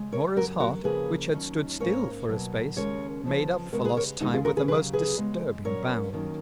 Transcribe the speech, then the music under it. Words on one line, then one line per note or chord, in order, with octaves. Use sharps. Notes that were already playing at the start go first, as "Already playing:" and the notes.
Norah's heart, which had stood still for a space, made up for lost time with a most disturbing bound.
Already playing: C#3 G#3
A#4 C#5
F#2 C#3 F#3 F#4 A#4
F#4 A#4
C#3 F3 A#3 C#4 G#4 B4
D#2 D#3 F#3 C#4
G#2 D#3 A#3 C#4 A#4 C#5
B2 F#3 A#3
D#2 C#3 G#3 C#4 A#4 C#5
F2 C#3 F3 B3
C#3 G#3 B3 A#4 C#5
G#4 B4
A#4 C#5
D#2 C#3 G#3 C#4 D#4 F#4
F4 G#4
F#4 A#4
G#4 B4
D#2 C#3 F#3 G#4 B4
G#4 B4
C#3 G#3 B3
A#2 F#3 C#4 A#4 C#5
D#2 D#3 F#3 A#3 C#4